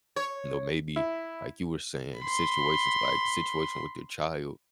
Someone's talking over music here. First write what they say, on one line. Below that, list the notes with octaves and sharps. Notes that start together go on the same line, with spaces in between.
you know, maybe, like you were saying, situations like situation with your child,
C#5
E4
B5 C6